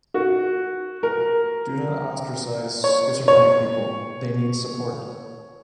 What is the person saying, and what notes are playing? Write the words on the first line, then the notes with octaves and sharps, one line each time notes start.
Do not ostracize schizophrenic people, they need support.
F#4
A#4
C#5
C#5